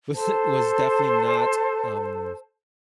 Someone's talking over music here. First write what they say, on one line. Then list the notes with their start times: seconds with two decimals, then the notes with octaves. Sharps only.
was was definitely not, um,
0.14 A4 C5 A5